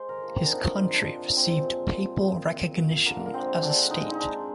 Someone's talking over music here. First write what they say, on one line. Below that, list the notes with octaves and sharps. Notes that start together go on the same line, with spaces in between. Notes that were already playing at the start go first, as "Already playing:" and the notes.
His country received papal recognition as a state.
Already playing: G#3 C5
A#4
F3
A#3
C4
D4
D3 D#4
F3
D4
F3
G#3 C4
A#2
A#2
A#2
A#2
A#2
D3 A#3
A#3
G#3 C4
D3 D4
G#3 D#4
D#4
G#3 D4